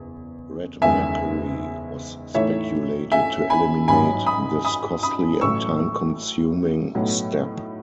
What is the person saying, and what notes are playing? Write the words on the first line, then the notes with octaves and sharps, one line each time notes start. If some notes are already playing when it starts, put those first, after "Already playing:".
Red mercury was speculated to eliminate this costly and time-consuming step.
Already playing: F#1 E2
F#1 E2 D#3 G#3 E5 G#5
A2 E3 A3 D#4 C#5 E5
E5 G#5
G#5 B5
A1 G#2 F#3 G#5 B5
B5 D#6
B5 D#6
B5 D#6
A1 A2 F#3 C#6 E6
B1 A2 F#3 B3